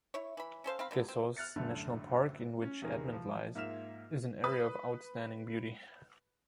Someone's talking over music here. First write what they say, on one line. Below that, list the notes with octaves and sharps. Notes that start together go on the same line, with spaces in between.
Gesause National Park, in which Admont lies, is an area of outstanding beauty.
E4 C#5
E3 B5
C#4 A4 C5 F5
C4 F5 B5
D3 A#3 B3
C4
F6 F#6 A6 C#7
A1 F#2 D3 A3
C#4
E2 C3 D#3 G#4 A#4
F3
G#2 A#3 F4 E5 F6 E7
B4 D#6